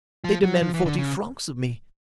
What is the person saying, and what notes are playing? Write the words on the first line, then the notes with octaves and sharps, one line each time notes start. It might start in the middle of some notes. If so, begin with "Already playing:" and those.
They demand forty francs of me.
F3
F#3
F3
E3
D3
C#3